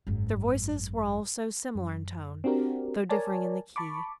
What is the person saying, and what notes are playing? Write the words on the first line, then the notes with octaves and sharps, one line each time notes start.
Their voices were also similar in tone, though differing in the key.
G#1 F#2
F#2
C4 D4 F#4 G4 A#4
A#4 C#5 D5 G#5 A5
A5 B5 C#6 D6